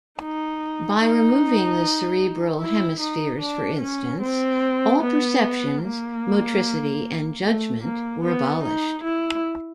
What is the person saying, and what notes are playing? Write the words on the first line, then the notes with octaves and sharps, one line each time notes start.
By removing the cerebral hemispheres, for instance, all perceptions, motricity, and judgment were abolished.
D#4
D#4
E4
D#4
D4
C#4
C4
B3
A#3
A3
A#3
B3
D#4
E4